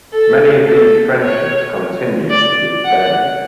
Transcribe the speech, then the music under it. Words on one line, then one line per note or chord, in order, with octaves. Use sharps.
Many of these friendships continue to this day.
A4
A4
C#5
D5
F#5